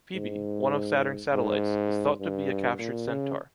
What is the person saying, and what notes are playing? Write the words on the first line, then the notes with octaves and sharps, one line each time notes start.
Phoebe, one of Saturn’s satellites, is thought to be a captured centaur.
G#2
G#2
G2
A#2
C#3